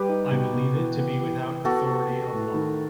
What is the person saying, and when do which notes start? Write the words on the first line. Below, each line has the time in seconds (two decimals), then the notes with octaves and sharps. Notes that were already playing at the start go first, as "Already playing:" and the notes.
I believe it to be without authority of law.
Already playing: G3 G4 B4
0.09 D#4
0.31 B2
0.53 B2
0.75 E3
0.97 B3
1.21 E3
1.43 E3
1.65 B3 F#4 A4
1.87 B3
2.09 B3
2.32 A2
2.54 D#3